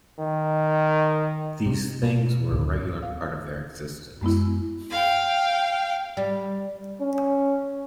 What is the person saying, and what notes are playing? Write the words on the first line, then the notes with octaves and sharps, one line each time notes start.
These things were a regular part of their existence.
D#3
C3
B2
D1
F5
F#2 G#3 B3 E4
F5 G5
G3
C#4